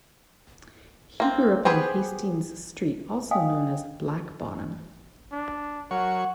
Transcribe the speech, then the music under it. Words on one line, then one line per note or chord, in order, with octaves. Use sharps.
He grew up on Hastings Street, also known as "Black Bottom".
A#3 C4
B3 G4 G#4 B4 C5
D#5 F5 G5 G#5 D#6
D4
F#3 A#4 C#5 F#5